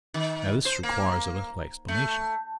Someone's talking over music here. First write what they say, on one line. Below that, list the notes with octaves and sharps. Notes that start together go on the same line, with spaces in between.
Now this requires a little explanation.
D#3
C5
A#3
A3